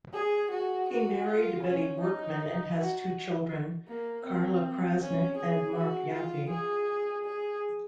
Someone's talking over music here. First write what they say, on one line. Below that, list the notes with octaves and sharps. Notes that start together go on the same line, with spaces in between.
He married Betty Workman and has two children: Carla Krasnick, and Mark Yaffe.
G#4
F#4
F#4
F4
C#4
D#4
F#4
A#3
C4
C#4
G#4
F#4
F4
G#4
G#4